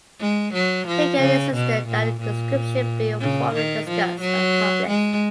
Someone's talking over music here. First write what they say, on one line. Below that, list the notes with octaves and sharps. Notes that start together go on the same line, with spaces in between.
He again insisted that the inscription be formally discussed and published.
G#3
F#3
F3
C#3
B2
A#2
A#2
C#3
D#3
F3
F#3
G#3